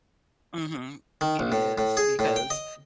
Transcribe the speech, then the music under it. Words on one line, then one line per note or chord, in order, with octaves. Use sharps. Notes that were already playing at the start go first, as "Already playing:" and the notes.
Mhm. It is, because,
D#3
A#1
A2
A2
G#4
A2
G5
D#5